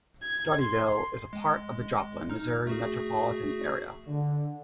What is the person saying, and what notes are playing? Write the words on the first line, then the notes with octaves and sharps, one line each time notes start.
Dotyville is a part of the Joplin, Missouri metropolitan area.
G#6
C6
G#3
D#4 F6
A3 F#4 G#4
D3